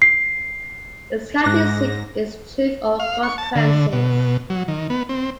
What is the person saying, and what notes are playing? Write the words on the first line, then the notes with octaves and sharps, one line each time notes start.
Its county seat is Truth or Consequences.
C7
G#2 D6 F#6 A#6
F5
C#6
A5
D3
B2
F#3
D#3
B3
C4